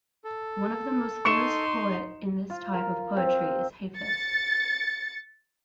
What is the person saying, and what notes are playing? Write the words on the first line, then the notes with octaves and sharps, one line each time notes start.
One of the most famous poet in this type of poetry is Hafez.
A4
D#4 C6 C#6 C#7 E7
F4
A#4
C4
A6 C#7